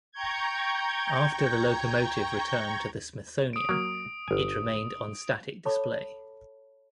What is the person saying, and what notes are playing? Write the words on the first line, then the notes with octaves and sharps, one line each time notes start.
After the locomotive returned to the Smithsonian, it remained on static display.
G5 A#5 C#6 G6 G#6
D#6 D7
F#3 A#3
G1 G#5
A4 C#5 A5 B5 D6